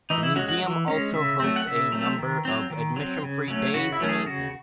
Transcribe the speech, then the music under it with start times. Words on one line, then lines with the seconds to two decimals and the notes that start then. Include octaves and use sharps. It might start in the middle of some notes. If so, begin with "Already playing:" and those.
The Museum also hosts a number of admission-free days and evenings.
0.10 E3 D#4
0.23 E4
0.35 G#3 C#4 F#4
0.49 F#4
0.63 E3
0.88 G#3 C#4
1.14 C#3 E5
1.40 F#3 A3 C4
1.56 F#5
1.67 C#3 E5
1.92 F#3 A3 C4
2.19 D#3
2.45 F#3 C4
2.70 D#3
2.96 F#3 C4
3.23 C#3
3.48 F#3 A3 C#4
3.74 C#3 F#4
3.92 E4
4.00 F#3 A3 C#4
4.09 G#4
4.26 C#3 F#4